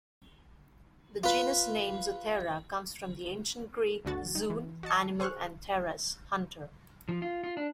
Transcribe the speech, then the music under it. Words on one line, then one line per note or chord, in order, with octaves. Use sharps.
The genus name "Zoothera" comes from the Ancient Greek "zoon", "animal" and "theras", "hunter".
F4 B4
G1 D2 D3 F#4 A6
D#4
E3
F#4 D#5 A5 C#7
G#4 C5 C#6 F6 F#6
F3
F4
F4
D4